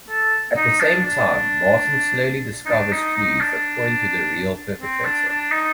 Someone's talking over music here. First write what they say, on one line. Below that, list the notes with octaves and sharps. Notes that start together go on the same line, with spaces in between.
At the same time, Martin slowly discovers clues that point to the real perpetrator.
A4
D#4
D4
D4
D#4
D4
D#4
D#4
D4
C4
D4
D4
D#4